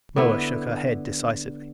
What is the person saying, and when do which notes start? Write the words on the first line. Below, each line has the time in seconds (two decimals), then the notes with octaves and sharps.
Moa shook her head decisively.
0.16 D3 B3 E4